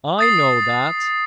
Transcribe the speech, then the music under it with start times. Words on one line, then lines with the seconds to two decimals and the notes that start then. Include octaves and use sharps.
"I know that."
0.19 D#6 A6 C7